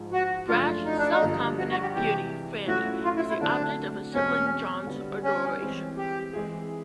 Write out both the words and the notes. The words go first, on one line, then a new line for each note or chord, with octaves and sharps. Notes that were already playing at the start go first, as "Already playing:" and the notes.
Brash, self-confident beauty Franny, is the object of her sibling John's adoration.
Already playing: G#2 F3 G#3
F#4
F#2 C#3 F3 A3 D4 F4
D#4
D4
D#4
G2 D3 F3 A#3
F#4
F#4
G4
C3 E3 G#3 G4
A#2 F#3 A3 C#4 E4 F#4
F4
E4
E4
D3 F#3 A3 C4 D4
E2 B2 G#3 C4 C#4
D3 G3 B3
C#4
E3 G#3 C4
G4
E3 G#3 C4 E4 G#4